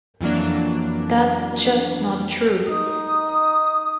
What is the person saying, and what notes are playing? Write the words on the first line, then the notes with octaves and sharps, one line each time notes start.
That's just not true.
F2 E3 F#3 A#3 D4
D#4 D#6